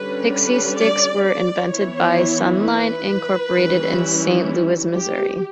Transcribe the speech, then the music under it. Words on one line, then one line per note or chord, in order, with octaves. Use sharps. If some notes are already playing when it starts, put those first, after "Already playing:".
Pixy Stix were invented by Sunline Incorporated in Saint Louis, Missouri.
Already playing: D3 G3 C#4 B4
B4
D5
D5
E3 B3 E4 C#5
B4
E3 G3 C#4 E4
G4